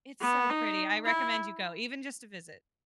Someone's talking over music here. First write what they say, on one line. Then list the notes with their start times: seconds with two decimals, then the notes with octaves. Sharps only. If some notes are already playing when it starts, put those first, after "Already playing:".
It's so pretty, I recommend you go, even just to visit.
0.21 B3
0.49 D#4
1.05 E4